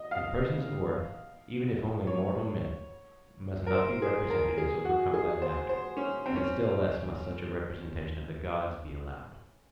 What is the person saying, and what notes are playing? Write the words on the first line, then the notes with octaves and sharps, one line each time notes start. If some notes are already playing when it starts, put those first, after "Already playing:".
Then persons of worth, even if only mortal men, must not be represented as overcome by laughter, and still less must such a representation of the gods be allowed.
Already playing: D#5
F5
C#5
A#4
C5
G#4
A#4
G#4
F#4
G#4
C5
C5
C#4
C4
C#4